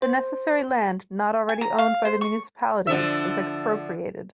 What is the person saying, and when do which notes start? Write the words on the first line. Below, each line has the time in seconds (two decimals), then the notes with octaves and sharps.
The necessary land not already owned by the municipalities was expropriated.
0.02 C5
1.49 G#5
1.61 A#5
1.78 F5
2.05 C5
2.21 C#6
2.87 D3 F3 E5